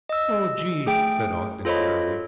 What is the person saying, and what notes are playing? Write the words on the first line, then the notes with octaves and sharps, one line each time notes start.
"Oh, Gee," said Ogden wearily.
D#5 E6
A3 G#4 G5 D7
F4 A4 C5 C#5 D#5 B5